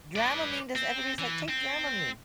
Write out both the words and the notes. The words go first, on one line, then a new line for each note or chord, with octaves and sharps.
Dramamine does everybody's like, "Take Dramamine."
B4 D5
C4
E3
C4